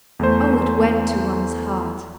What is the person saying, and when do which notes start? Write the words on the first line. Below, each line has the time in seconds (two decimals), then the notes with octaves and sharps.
O! it went to one's heart!
0.19 E2 A3 C5